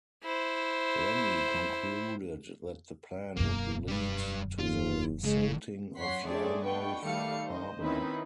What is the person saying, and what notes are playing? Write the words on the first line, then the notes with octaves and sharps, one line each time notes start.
Rennie concluded that the plan would lead to the silting of Yarmouth harbour.
E4 C5
E1 F#2 A#3
G3 B4
D#2 F4
C#3 G#3
F#2 C#5 F#5 C6 B6 C7
A3 C4 D4 G#4 C#5 D5
B2 D3 A3 B4 G5 C#6
D#3 G3 A3 F5 C#7
C5 D#5
D#3 C4 C#4 D#4 E4 B4